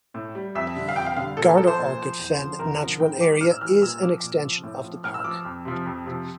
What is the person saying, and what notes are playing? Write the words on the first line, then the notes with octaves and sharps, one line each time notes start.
"Garner Orchid Fen Natural Area" is an extension of the park.
A2
G3
F2 E5
D3 G3
F5
F2 G5
F5
D3 G3 F5
A#2 A4
A#4
F3 A4
C5
A#2
F3
E2
D3 F3
E2 A#4
D3 F3
A2 G5
E3 G3 D6
A2 F6
E6
E3 G3 F6
A#2 E6
F3 D6
A#2
F3
A2
F3
A2 F6
E6
F3 D6
F2
C3 F3
F2
C3 F3